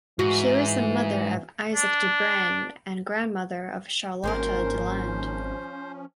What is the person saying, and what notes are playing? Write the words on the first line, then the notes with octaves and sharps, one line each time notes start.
She was the mother of Isaac de Broen and grandmother of Charlotta Deland.
G#2 E3 F#4
D4
G#1 D#3 F3 A#3 C#4 A#4 C5